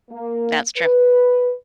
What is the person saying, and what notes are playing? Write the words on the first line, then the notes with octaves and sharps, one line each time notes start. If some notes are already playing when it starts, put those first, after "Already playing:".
That's true.
A#3
B4